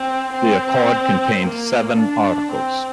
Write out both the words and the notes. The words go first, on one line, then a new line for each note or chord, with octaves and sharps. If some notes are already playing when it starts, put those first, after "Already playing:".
The accord contained seven articles.
Already playing: C4
C4
A#3
D4
C4